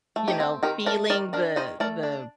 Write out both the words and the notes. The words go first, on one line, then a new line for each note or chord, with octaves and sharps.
you know, feeling the the
A3
D#4 G4
C4
D#3 G4 A#4
A3 A#4 D5
D#3 A#4 D5
D4 A#4 D5
D#3 C5 D#5
A3 A#4 D5
D4